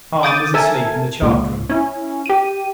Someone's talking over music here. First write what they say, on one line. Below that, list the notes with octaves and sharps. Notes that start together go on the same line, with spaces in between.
Hahn was asleep in the chart room.
D6 D#6 G6 A6 D7 D#7
A4 A#4 E5 G#5 A5
C#2 A#2
C#4 E4
G4 D#7